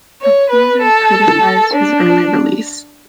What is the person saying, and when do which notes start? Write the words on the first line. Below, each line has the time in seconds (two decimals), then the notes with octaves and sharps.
Accusers criticized his early release.
0.21 C#5
0.51 B4
0.82 A4
1.74 D4